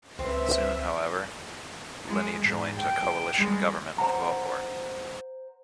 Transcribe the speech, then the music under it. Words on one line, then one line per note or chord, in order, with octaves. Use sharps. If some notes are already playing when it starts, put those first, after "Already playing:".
Soon, however, Lini joined a coalition government with Vohor.
C#2 C4 B4 E5
G#3
G#2
G5
G3 G#3
C5 F#5 A#5